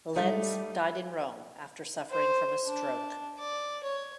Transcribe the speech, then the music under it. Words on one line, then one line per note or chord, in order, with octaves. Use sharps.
Lenz died in Rome, after suffering from a stroke.
G3 A3 D#4
C5
D4
D5
C#5